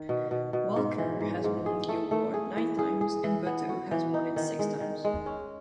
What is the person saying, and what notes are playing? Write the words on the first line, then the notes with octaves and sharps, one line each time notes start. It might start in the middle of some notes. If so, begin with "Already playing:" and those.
Walker has won the award nine times, and Votto has won it six times.
Already playing: D#3
B2
B2
B2
G#2
E3
G#2
G#2
G#4
A3
A3
G#4
E3
G#4
G#4
E3
B3
F#4
E3
D#4
D#3
G#3
D#3
G#3
C#4